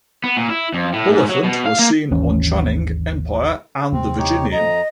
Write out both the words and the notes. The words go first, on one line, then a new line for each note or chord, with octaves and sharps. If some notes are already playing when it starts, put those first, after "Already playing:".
Bulifant was seen on "Channing", "Empire", and "The Virginian".
B3
A#2
E4
F2
A2
G#2
F#3
B2
F5
A#3
G#1 D#2 E3 C#4
D#2 C3 C4
D#4 G4 C#5
F2 D#5 A#5